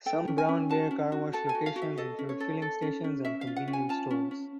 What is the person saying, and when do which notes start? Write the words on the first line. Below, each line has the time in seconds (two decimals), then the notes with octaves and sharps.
Some Brown Bear Car Wash locations include filling stations and convenience stores.
0.06 A4 G5
0.28 C#4
0.38 G#5
0.49 C#4
0.69 F#4 A5
0.91 C#4
1.12 F#4
1.33 A4 A5
1.49 G#5
1.55 F#4
1.66 F5
1.76 F#4
1.82 E5
1.98 A4 D#5
2.19 C#4
2.29 C#5
2.40 A4
2.62 A4
2.82 C#4
3.04 C#4
3.25 C#4 E5
3.41 F5
3.47 F4
3.56 F#5
3.68 C#4
3.73 G#5
3.89 F4 A5
4.11 C#4
4.31 C#4